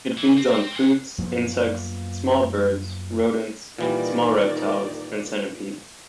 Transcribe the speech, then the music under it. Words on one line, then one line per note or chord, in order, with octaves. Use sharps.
It feeds on fruits, insects, small birds, rodents, small reptiles and centipedes.
E3
C4
G#4 F#5
F#2 F3 A#3 B3
A#2 D#3 E3 G3 D5